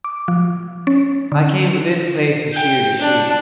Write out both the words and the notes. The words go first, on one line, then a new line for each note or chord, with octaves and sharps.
I came to this place to shear the sheep.
D6
F3
C#4
D3
G5
D4